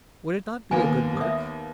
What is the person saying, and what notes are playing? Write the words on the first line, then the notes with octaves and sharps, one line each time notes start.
Would it not be a good work?
D#2 A#3 B3 G#5
E5 D#6